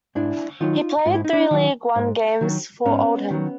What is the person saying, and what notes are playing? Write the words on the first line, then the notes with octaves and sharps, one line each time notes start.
He played three League One games for Oldham.
G#2 D4 E4
D#3 F#3 D#4 F4
G#2 F4
E4
D#4
D4 E4
D#3 F#3
G#2
D#3 F#3
G#2 B3 C#4
D#3 F#3